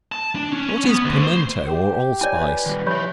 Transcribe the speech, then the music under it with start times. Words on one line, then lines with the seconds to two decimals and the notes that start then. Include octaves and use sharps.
What is Pimento or Allspice?
0.12 A5
0.35 D4
0.53 C#4
0.69 C#4
0.84 B3
1.05 D2
1.24 C5
1.67 G4
2.21 E4 C#5 D5 G#5
2.38 B4
2.66 D#3 G3
2.87 F3 E4 G4 C#5 B5